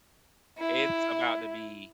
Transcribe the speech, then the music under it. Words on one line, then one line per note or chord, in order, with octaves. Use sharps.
it's about to be
E4